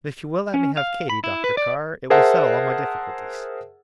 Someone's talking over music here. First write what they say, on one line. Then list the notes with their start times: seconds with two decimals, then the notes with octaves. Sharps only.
But if you will let me have Katy, Dr. Carr, it will settle all my difficulties.
0.54 C#4
0.77 F5
1.10 B5
1.24 E4
1.44 B4
1.57 D5
2.10 G#4 A#4 C5 E5 F#5 A5